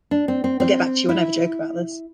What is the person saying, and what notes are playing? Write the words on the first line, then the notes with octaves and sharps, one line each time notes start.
I'll get back to you when I have a joke about this.
D4
C4
C4
C4
E4